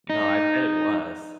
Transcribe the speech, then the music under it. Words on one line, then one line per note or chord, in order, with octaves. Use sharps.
No, I bet it was.
D#4